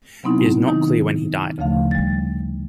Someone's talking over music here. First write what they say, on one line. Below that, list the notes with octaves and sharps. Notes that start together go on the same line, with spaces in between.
It is not clear when he died.
C3 F#3 B3 C4 D#4 E4
C3 D#3 D#4
D2 C#3 F3 A3 F5
G3 A6